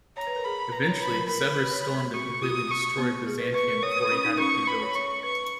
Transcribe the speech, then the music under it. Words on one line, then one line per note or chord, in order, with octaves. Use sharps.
Eventually, Severus stormed and completely destroyed Byzantium before he had it rebuilt.
C#5 A#5
B4
A#4
G#4 B5
B4 A#5
C#5
B4 B5
A#4
A#4 B5
B4
C#5
F#4 C#6
F4 D#6
C#6
B3
G#4
B4
B4 C#6
A#4
C#5 D#6
B4
C#4
D#4
C#4 C#6
B4 B5
C#5
C#5 C#6
B4 C#6